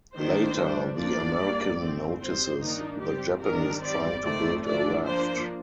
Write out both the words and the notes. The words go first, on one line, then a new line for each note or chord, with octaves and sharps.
Later, the American notices the Japanese trying to build a raft.
D#3 A#3 D4 C5
G3 D4
F3 A#3 D4 D5
G3 A#3 D4
D3 A3 C4
G3 C4 C5
D#3 A#3 D4 D#4
G3 C4 G4
D#3 G3 D4 A#4
G3 C4 D5
D#3 A3 C4 D5
F3 A3 D4 D5
F3 A#3 D4 C5